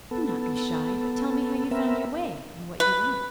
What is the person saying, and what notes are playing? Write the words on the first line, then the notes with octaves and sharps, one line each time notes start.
Do not be shy, but tell me how you found your way, and what you want.'
B3 A4
B3 C4 A#4 E5
B4